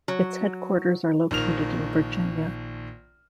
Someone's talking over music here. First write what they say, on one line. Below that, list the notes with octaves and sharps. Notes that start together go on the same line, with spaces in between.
Its headquarters are located in Virginia.
F#3
A#1 D#3 F6 F7